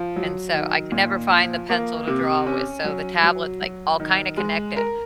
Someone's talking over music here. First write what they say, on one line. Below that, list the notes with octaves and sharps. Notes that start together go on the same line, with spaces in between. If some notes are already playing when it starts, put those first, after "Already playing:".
And so, I can never find the pencil to draw with. So, the tablet's, like, all kinda connected.
Already playing: F3
F#3
D#3
A#2
F3
A#3
C3
C#4
F#3
F#3
F#3
D#3
G#3
A#4